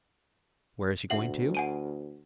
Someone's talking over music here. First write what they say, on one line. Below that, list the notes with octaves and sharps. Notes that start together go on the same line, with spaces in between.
Where is he going to?
D2 E5 F#5 F#7
F#5 G#5 D#7